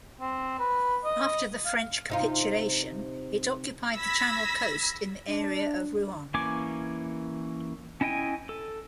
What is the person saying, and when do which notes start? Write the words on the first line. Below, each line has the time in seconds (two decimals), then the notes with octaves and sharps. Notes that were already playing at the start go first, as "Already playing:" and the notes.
After the French capitulation it occupied the Channel coast in the area of Rouen.
0.21 C4
0.59 B4
1.04 D#5
1.65 F5
2.09 C3 D#4 F4
3.96 B5 E6 G#6 A#6 B6
5.29 D4
6.34 E3 A#3 C#4 G#5 D6
8.01 C#4 E4 D#5 G5 G#5
8.49 A4